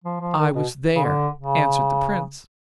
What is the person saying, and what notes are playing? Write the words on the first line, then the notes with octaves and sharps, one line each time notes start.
'I was there,' answered the prince.
F3
F3
D#3
B2
C#3
D3
C#3